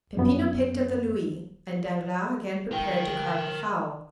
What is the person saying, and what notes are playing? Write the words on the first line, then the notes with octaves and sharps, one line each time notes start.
Peppino picked up the louis, and Danglars again prepared to carve the fowl.
F#2 B3
A#4 G5